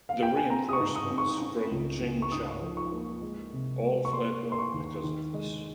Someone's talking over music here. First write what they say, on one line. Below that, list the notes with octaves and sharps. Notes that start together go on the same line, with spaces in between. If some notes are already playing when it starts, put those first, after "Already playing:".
The reinforcements from Jingzhou all fled home because of this.
F5
G5
G#5
C4 A#5
D#6
C#6
G#2
D#6
C4
C#6
C#4
C#2
C#2
C#6
G#2 D#6
F3
C#6
A#3
G#3
C3
G#3
C#6
A#3 C6
A#3
C6
C#6
D#2
D#3
G#3